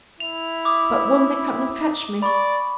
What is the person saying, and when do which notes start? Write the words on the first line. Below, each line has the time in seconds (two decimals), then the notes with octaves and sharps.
"But won't they come and fetch me?"
0.20 E4 F7
0.65 D6 D#6
2.22 D5 B5 C#6